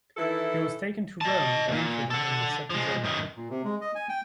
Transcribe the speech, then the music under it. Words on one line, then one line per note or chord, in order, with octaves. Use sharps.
He was taken to Rome and imprisoned in the Septizonium.
D#3 E3 E4 A4
D#5 A5
E2 A#2
A4 F#5
F3 G#3
F#2 D#3
A#2
C3
G#3
D#5
G#5
G5